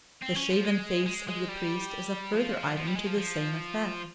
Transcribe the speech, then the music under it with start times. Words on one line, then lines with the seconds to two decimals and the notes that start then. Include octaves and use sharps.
The shaven face of the priest is a further item to the same effect.
0.22 C4
0.36 C#4
0.50 F3
0.64 G#3
1.06 G#3
1.27 G#3
1.49 G3
2.33 F3
2.76 F3
2.86 G3
2.96 G#3
3.07 F3
3.18 F3